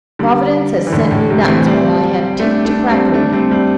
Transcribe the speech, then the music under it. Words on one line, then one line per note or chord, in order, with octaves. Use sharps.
Providence has sent me nuts while I have teeth to crack 'em with.
D3 G3
E3
A2 D3
A2
C3
C4
E3 A3
G3 C4
A3 D4
A3 D4
G3 C4
A3 D4
G3 C4
G3 C4